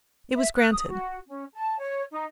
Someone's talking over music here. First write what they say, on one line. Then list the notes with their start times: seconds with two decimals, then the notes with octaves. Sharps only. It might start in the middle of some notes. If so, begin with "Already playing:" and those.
It was granted.
0.35 E5
0.54 F#6
0.71 D#6
0.88 F#4
1.28 C#4
1.52 A5
1.78 C#5
2.11 D#4